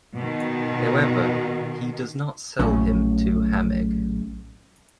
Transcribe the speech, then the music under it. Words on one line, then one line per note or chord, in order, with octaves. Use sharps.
However, he does not sell him to Hamegg.
B2 D#3
A#1 F#2 A2 C#3